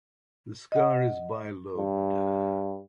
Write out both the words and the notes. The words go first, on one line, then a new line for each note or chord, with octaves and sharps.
The scar is bilobed.
D#5 F#5
G2